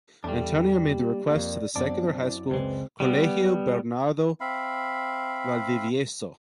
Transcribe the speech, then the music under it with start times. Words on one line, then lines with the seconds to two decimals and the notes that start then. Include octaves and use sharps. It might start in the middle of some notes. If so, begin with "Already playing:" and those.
Antonio made the request to the secular high school Colegio Bernardo Valdivieso.
0.24 E2 G3 D4 A4
0.90 A#3 G4
1.31 F2 A#3 D5
1.76 F#2 B3 C4 D4 D5
2.21 E4
2.51 C#2 G#3 C4 B4
3.00 G3 B3
4.41 C4 E5 F5 B5